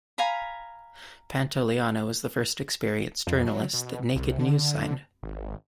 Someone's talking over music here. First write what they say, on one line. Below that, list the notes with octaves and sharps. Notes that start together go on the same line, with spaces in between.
Pantoliano was the first experienced journalist that "Naked News" signed.
F5 G#5 A#5 B5
F2
F#3
B2
C2
D3
G#1